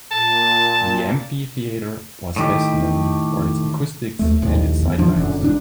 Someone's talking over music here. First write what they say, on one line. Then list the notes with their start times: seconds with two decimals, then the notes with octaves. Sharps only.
The amphitheatre was best known for its acoustics and its sightlines.
0.11 A#2 A5
2.36 A2 D#3 G4
4.19 D#2 A3
4.42 A#1 D#2 A2
4.83 E2
4.98 A2 E3 F3 D4
5.15 F#1 F#2 A#2 D3
5.40 A1 G#2 C#3 D4